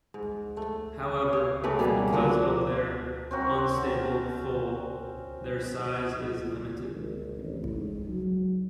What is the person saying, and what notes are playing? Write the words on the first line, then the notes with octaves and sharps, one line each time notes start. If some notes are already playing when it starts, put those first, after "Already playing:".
However, because of their unstable hull, their size is limited.
G#2
A3
C#5 F5
C#3 A3 G4 B4
B2 G3 A#3 G#4
F3 A#3 F#4
C4 C#4 F#4 A#4
G#1
A1
G#2
F#3